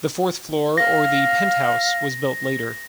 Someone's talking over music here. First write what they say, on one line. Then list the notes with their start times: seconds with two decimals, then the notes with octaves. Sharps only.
The fourth floor or the penthouse was built later.
0.78 F5 A#6